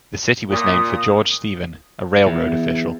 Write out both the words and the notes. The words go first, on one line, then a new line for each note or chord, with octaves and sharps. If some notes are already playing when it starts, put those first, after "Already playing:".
The city was named for George Stephen, a railroad official.
A#2 D#6
E2